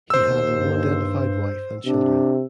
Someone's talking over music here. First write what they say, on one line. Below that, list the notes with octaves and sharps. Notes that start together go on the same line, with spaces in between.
He had an unidentified wife and children.
D#2 C5 E6
G2
C3 D4